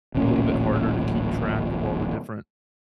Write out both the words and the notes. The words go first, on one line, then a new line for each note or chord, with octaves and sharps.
a little bit harder to keep track of all the different
D1 A1 A#2 C#4